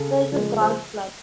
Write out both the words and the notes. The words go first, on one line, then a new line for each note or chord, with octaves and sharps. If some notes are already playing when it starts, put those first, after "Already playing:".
There is a golf club.
Already playing: C#3 A4
F3 G#3
C5